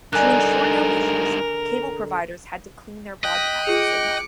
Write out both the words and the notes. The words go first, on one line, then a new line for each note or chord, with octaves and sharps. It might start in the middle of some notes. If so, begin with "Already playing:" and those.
To ensure no issues, cable providers had to "clean" their broadcast signal.
G2 D3 D#4 A#4 G#5 F#6
D#5 G5 F#6 B6
F4 G#4 D6 C#7